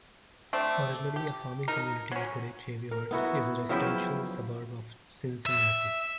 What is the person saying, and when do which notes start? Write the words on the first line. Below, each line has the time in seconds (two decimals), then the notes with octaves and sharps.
Originally a farming community, today Cheviot is a residential suburb of Cincinnati.
0.53 A3 C4 D4
1.16 G4
1.68 D#4 A#4
2.11 F#3 C#4
2.91 A#4
3.11 B3 E4 F#4
3.69 C#3 F3 F#3 E4 E5 G5
5.46 E5